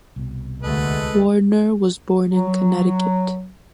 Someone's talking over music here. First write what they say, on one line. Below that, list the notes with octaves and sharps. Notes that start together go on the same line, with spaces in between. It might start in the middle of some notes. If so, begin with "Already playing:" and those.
Warner was born in Connecticut.
C2 B2
D2 D3 G#3 A3 A4 B4 D#5
F#3